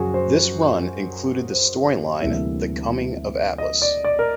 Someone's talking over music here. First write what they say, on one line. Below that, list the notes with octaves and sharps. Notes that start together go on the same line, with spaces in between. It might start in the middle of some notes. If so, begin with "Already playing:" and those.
This run included the storyline "The Coming of Atlas".
Already playing: F#2 C#3 F3 F4 F#4 G#4
C5
C5
D2 C3 E3 G3 A#3 E5
D#5
D5
D5
A#4